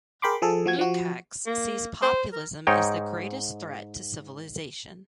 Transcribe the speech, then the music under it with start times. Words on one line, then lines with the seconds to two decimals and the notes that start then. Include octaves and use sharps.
Lukacs sees populism as the greatest threat to civilization.
0.22 G#4 A#4 G5 B5 C6 D6
0.42 F3 G#4 A4
0.66 F3 F#4 G#6
0.79 F3 F#4
1.46 A#3
2.02 C5
2.33 A#4
2.67 G#2 D#4 C#5 G5